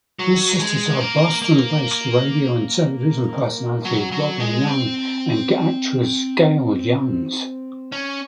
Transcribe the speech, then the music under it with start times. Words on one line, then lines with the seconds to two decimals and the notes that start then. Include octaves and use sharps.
His sisters are Boston-based radio and television personality Robin Young and actress Gail Youngs.
0.19 F#3
0.60 G#3
1.00 A#3
1.42 A#3
3.85 F#3
4.12 F#3
4.40 G#3
4.67 C4
7.92 C#4